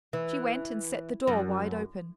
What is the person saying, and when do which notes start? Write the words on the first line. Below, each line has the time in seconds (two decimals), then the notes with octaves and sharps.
She went and set the door wide open.
0.13 E3
1.28 F#2